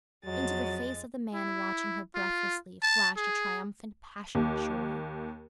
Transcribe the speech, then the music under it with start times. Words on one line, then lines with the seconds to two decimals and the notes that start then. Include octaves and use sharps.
Into the face of the man watching her breathlessly flashed a triumphant, passionate joy.
0.25 F2 F#3 G#3 A6
1.34 E4
2.15 F4
2.83 A5
3.17 G#4
4.35 D#2